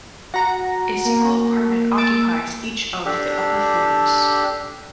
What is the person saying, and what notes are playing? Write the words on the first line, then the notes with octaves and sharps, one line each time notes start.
A single apartment occupies each of the upper floors.
F#4 A#5
A#3
E6 A6 D7
D4 G4 A4